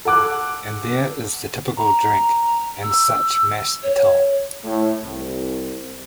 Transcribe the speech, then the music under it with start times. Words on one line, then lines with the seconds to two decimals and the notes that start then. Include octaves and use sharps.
And there is the typical drink and Such mass Atol.
0.05 A4 F#5 D6 F#6
1.77 A#5
2.83 E6
3.83 C#5
4.63 A2
5.02 C2